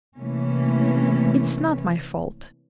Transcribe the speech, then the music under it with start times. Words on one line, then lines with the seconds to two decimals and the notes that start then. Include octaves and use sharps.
It's not my fault.
0.17 C3 E3 A3 A#3 C#4